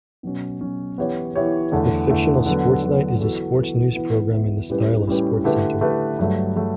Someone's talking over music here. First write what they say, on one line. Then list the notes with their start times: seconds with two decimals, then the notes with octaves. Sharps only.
The fictional "Sports Night" is a sports news program in the style of "SportsCenter".
0.23 B2 F#3 C#4
0.60 B2 F#3 C#4
0.98 E3 B3 E4 G4 C#5
1.35 E3 B3 E4 G4 C#5
1.72 E2 D3 A3
2.10 E2 D3 A3
2.46 D3 F#3 B3
2.83 D3 F#3 B3
3.21 E3 B3 F#4 A4
3.58 E3 B3 F#4 A4
3.95 E3 B3 E4
4.32 E3 B3 E4
4.70 A2 G3 C#4 G4 B4
5.07 A2 G3 C#4 G4 B4
5.44 D3 A3 E4 G4 B4
5.81 D3 A3 E4 G4 B4
6.19 G2 F#3 A3
6.56 F#3 A3